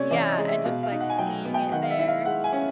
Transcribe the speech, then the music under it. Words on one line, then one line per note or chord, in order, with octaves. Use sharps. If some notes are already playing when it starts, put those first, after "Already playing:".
Yeah, and just like seeing it there.
Already playing: C3 C#4 C#5 D5
E3 D5
D#5
G#3
E5
B2 F5
F5
D#4
F#5
G#5
F#3 G5
B3
G5
D#3 F#5
F5
E5
E4
F5
G#3 F#5
G#5
C#4